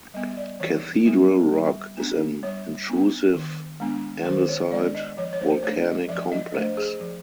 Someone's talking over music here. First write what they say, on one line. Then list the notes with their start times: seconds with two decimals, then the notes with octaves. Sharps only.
Cathedral Rock is an intrusive andesite volcanic complex.
0.14 G3 B3 D#5
0.37 D5
0.60 E3 C#5
1.06 G3 B3
1.52 G3
1.97 B3 D4
2.43 G3 C#5
2.89 B3 D4
3.34 D#3
3.80 G#3 B3 D4
4.26 D#3 C5
4.49 C#5
4.71 G#3 B3 D4 D5
4.95 D#5
5.17 F3 C#5
5.33 C#5
5.41 C5
5.63 A3 D4 C#5
5.87 D#5
6.09 F3 E5
6.32 D#5
6.54 A3 D4 C5
6.77 G#4
7.00 F3